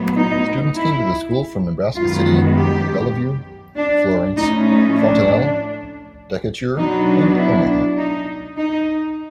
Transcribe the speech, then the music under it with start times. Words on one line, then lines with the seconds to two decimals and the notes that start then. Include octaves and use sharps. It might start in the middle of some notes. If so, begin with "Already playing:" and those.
Students came to the school from Nebraska City, Bellevue, Florence, Fontanelle, Decatur and Omaha.
Already playing: A2 F#3 B3
0.15 D#4
0.76 E4
1.96 F#2 D#3 G#3 B3 F4
2.56 G4
3.76 D4
4.36 A2 F3 A3 C#4 D#4
4.66 D#4
4.97 D4
6.76 B2 F#3 B3 D4 D#4
7.37 E4
7.67 D4
7.97 D#4
8.57 D#4